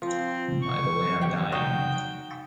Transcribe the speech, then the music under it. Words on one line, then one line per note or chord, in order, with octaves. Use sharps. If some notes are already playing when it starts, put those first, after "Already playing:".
By the way I’m dying.
F3 C4
C#6
G4 F#5 G5
D#4 F#4 D#5 G5